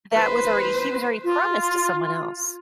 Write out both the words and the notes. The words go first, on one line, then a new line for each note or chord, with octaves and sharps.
that was already he was already promised to someone else.
B4 C5
F4